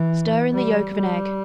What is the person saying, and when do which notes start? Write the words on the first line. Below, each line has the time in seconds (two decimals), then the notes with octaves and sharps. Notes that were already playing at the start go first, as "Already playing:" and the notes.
Stir in the yolk of an egg.
Already playing: E3
0.53 G3
0.94 G3